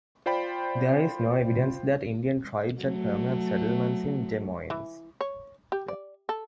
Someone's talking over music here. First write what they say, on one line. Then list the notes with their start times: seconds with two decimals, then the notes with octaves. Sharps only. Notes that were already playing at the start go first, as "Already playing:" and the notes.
There is no evidence that Indian tribes had permanent settlements in Des Moines.
0.26 F4 C5 D5 G5 B5
2.81 F#3 A3
4.70 E3
5.21 C#5
5.72 G4
5.88 D5
6.29 A4